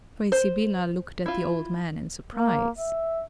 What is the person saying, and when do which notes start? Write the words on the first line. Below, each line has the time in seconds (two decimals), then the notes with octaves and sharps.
Fray Sibyla looked at the old man in surprise.
0.32 C5
1.26 E4 F4
2.35 A#3
2.78 E5